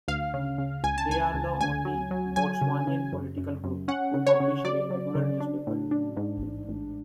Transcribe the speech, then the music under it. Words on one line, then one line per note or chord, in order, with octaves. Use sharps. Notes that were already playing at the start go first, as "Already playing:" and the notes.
They are the only Botswanian political group who publish a regular newspaper.
D2 F5
C#3
C#3
C#2 G#5
A5
C#2 G#5
C#2
D2 G#5
F#3
F#3
F#3 G#5
C#3
C#3
F#2
F#2
F#2
C#4 F#5
C#3
C#5
C#3
F#3 D5
F#3
C#3
D4
A2
D4
G#2
A1
A1